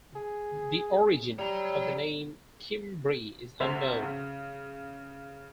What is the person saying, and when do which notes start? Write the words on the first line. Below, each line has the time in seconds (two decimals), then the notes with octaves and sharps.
The origin of the name "Cimbri" is unknown.
0.16 G#4
1.39 G3 C#5 A#5
3.60 D2 C3 C5 E5 F#5 F7
4.03 C#3